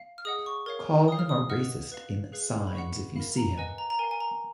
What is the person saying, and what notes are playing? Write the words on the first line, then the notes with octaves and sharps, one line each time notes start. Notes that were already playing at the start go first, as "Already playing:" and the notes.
Call him a racist in signs if you see him.
Already playing: F5
F6
G#4 D#5 F#5 D#6
C#6
A#4 C#5 F5
A#4 F5 D#6
F6
D#6
B4 D#5 F#5 F6
B4 F5
G#4 B4 F5
B5
B4 D#5 F#5 C#6
A#4 F5 B5
A#5
B4 D#5 F#5 G#5
A#5
A#5
A#4 F5 G#5
G#5
A#5